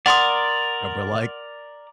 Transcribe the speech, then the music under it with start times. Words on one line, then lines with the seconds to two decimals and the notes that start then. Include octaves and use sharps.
And we're like,
0.06 A#4 D5 F#5 C6 D#6